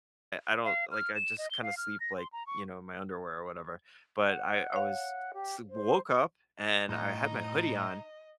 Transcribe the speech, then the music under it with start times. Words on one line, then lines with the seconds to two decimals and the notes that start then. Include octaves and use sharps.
I don't like I just kind of sleep like, you know, in my underwear or whatever but I I was s woke up and I had my hoodie on
0.65 F5
0.91 F6
1.15 E7
1.38 D#5
1.51 G7
1.63 F5
1.77 F6
2.00 A#6
2.18 C6
2.33 A#5
2.47 C#6
4.26 F#5
4.73 C#5 F5
5.33 G4
5.69 C5
6.89 A2 D#4 D#5